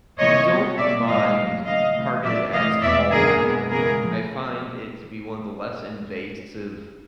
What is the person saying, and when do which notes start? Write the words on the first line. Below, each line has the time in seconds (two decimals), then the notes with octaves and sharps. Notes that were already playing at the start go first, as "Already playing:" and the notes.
I don't mind targeted ads all that much. I find it to be one of the less invasive
0.19 C3 E3 G3 A#3 C#5 D#5
0.49 B2 G3 B3
0.78 B2 G3 A#3 D5 E5
1.07 G#2 E3 G3 D#5 F5
1.36 A#2 F#3 A3
1.65 C#3 E3 G3 D#5 F5
1.95 C3 E3 A3
2.24 A#2 F#3 A3 D5 E5
2.53 C3 E3 A3 D#5 F5
2.82 E2 B2 G#3 B3 D5 E5
3.11 F#2 D3 F#3 A#3 G#4 A#4
3.40 B2 G#3 B3
3.70 C#3 E3 G#3 B3 G#4 A#4
3.99 A#2 F3 A3